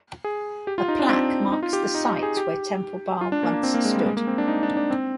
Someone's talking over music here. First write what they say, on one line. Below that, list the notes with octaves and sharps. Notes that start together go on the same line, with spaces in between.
A plaque marks the site where Temple Bar once stood.
G#4
G4
F4
D#4
D4
C4
D#4
F4
G4
G4
D#4
G4
G#4
G4
F4
D4
A#3
A#3
C4
A#3
G#3
G3
G#3
A#3
C4
D4
D#4
D4
D4
C4